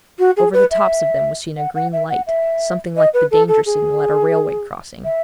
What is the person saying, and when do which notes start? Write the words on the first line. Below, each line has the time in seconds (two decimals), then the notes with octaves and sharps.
Over the tops of them was seen a green light, something like the danger signal at a railway-crossing.
0.19 F#4
0.37 G#4
0.53 B4
0.71 E5
1.57 F#5
1.75 F#5
1.93 E5
2.10 F#5
2.27 E5
2.97 D#5
3.14 B4
3.31 A4
3.48 A4
3.66 G#4
5.05 E5